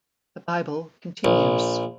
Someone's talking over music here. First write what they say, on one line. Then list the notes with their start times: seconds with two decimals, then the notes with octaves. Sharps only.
The Bible Continues.
1.25 A#1